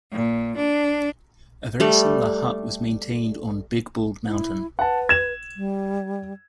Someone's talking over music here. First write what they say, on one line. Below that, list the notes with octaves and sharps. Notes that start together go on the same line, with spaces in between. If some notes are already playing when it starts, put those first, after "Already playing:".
A very similar hut was maintained on Big Bald Mountain.
A#2
D4
G3 A3
E4
B4 F#5 A5
G#6 E7
G3